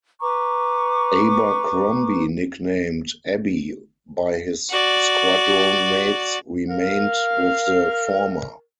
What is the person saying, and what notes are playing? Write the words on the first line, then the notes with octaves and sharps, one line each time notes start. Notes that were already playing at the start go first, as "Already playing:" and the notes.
Abercrombie-nicknamed "Abbie" by his squadron-mates-remained with the former.
B4 A#5 C#6 D6
F#4 D5
A#4 F5